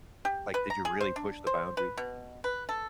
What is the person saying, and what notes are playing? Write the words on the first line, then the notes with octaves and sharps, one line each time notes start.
Like, did you really push the boundary?
G4
B4
A#5
G#4
C5
D4
C5
B4
B2
B4
A4